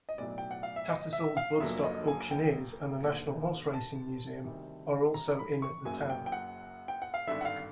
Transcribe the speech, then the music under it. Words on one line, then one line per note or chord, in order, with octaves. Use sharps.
Tattersalls bloodstock auctioneers and the National Horseracing Museum are also in the town.
D#5
B1 A2 F#3 D5
G5
F#5
F5
E5
D#5
E5
F5
F1 F2 D3 F#3 A#3 E5
D#5
G#5
G5
E1 D#2 D3
A5
D2 C3 D#3 G3
A#5
B5
C#6
F#1 F#2 C#3 F#3 A#3 G#5
G5
G5
F#5
G5
F#5
F5
G#1 G2 D3 E5
F#5
F5